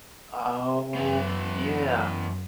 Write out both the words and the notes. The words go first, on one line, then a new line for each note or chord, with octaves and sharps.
Oh, yeah.
F#2 B2 E3